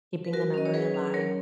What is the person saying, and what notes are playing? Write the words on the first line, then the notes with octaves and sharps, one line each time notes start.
keeping the memory alive,
B4
F#3 F#4 A#4
C#4 D#5
C#5
F#3 G#4 B4
C#4
F#3 A#4 C#5